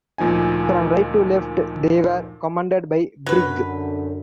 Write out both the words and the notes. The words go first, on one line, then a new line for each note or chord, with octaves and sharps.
From right to left, they were commanded by Brig.
D2 A#2 F3 D#4 G#5
F#2 D3 F#3 B4